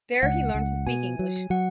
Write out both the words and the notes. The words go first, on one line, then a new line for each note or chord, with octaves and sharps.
There he learned to speak English.
C#2 F#5
C#2
B2 G#5
F#3
F#3 F#5